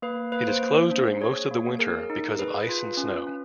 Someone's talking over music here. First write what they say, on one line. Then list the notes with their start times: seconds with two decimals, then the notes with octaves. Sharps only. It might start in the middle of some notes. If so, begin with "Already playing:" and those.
It is closed during most of the winter because of ice and snow.
0.02 A#3 B4
0.32 A#3 B4
0.48 C5
0.62 A#3
0.91 D4
1.21 G#4 C#5
1.51 A#3
1.79 G#4 A#4
2.10 D#4
2.39 G#4 B4
2.69 F4
2.97 C#4
3.27 C#4